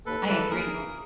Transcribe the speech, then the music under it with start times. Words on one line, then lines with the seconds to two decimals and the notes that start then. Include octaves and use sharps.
I agree,
0.06 D#2 A4 B4
0.28 C#3 E3 A4 B4
0.51 D#2 G#4 A#4
0.73 C#3 E3